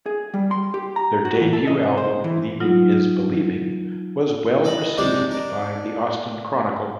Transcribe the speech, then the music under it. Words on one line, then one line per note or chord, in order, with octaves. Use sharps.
Their debut album "Leaving Is Believing" was well received by the Austin Chronicle.
G#4
G3
C6
G4
A#5
F#4
E3
A4
D#5
C3
C5
E3
F#3 D#4 F4
A4 D#5 B5
C3 G#3 D4 G4 D5 A5
D4 A#4